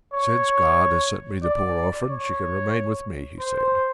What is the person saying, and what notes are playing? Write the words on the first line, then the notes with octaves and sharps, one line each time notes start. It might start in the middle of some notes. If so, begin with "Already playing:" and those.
"Since God has sent me the poor orphan, she can remain with me," he said.
C#5
D5
C#5
C5